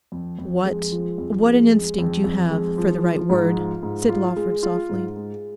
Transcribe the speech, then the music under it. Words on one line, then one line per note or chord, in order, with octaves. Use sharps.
'What--what an instinct you have for the right word,' said Lawford softly.
F2
F2
G#3
F3
F2
G#3
G#3
F2
F2
G#3
F3
F3
G#2
F4
G#2
F4
G#3
F4
G#2
G#3